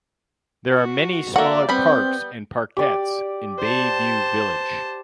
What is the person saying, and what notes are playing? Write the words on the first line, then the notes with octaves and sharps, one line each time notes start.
There are many smaller parks and parkettes in Bayview Village.
F#4
A#3 F#4 A4 D5 E5 F#5
G3 B3 C4 B5 G6
G4 D5
C5 A5